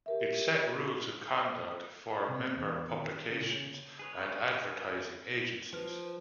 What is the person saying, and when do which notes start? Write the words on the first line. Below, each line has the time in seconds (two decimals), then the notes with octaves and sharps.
It set rules of conduct for member publications and advertising agencies.
0.06 G4 A#4 E5
2.24 C3
2.56 E2
2.90 D#3
3.28 C#3
3.99 G#4 B4 C#5
5.73 F3 B4 F6